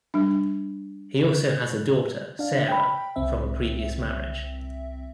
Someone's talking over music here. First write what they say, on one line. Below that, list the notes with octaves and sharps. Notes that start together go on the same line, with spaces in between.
He also has a daughter, Sarah, from a previous marriage.
G3 D4
D4 F5
G5 B5
C2 C4 E5